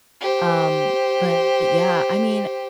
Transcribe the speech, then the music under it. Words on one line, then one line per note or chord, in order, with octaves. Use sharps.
Um, but yeah, I mean,
G4 C5